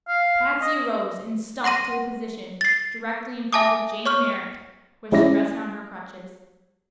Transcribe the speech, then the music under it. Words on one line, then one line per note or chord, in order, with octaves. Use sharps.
Patsy arose and stumped to a position directly in front of Jane Merrick, where she rested on her crutches.
F5
D#5
F#5 C6 A#6 D#7
A6 C7
E5 G#5 A5 D6 D#6
C#5 C#6 F6
G#3 C#4 E4 D5 A#6